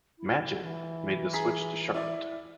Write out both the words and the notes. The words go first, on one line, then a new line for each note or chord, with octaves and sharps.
Matchett made the switch to Charlotte.
E4
E3
G#4 A#5 B6
E4 D5